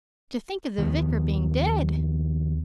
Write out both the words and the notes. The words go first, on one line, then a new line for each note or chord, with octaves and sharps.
To think of the Vicar being dead!
D#2 D#3 F3 B3